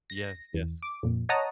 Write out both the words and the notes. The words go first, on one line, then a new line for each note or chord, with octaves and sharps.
Yes, yes.
A#6
E2
D6
F2 A#2
C#5 D#5 F#5 A5 A#5 D#6